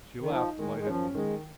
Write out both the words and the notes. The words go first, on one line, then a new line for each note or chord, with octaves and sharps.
She laughed delightedly.
D#3
F3 D#4
D#3 G#3
G#3
F3 C#4
D#3 G#3